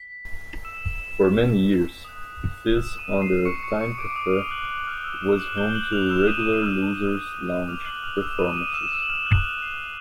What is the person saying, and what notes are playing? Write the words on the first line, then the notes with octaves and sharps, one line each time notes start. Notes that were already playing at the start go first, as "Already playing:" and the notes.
For many years Fez under Time Cafe was home to regular Loser's Lounge performances.
Already playing: B6
E6 E7
D#6 F#6
E6 E7
D#6 D#7
C7
C#6 C#7
C#6 C#7
C#6 C#7
D6 D7
D#6 D#7
F6 F7
F#6 F#7
F#6 F#7
D6 F6 G6 F7
E6 E7
E6 E7
F#6 F#7
G6 G7
F#6 F#7
F6 F7
E6 E7
D#6 D#7
D6 F6 F#6 F7
F#6 F#7
F6 F7
E6 E7
D#6 D#7
D#6 D#7
E6 E7
E6 E7
F#7
F6 F7
F#6 F#7
F6 F7
C7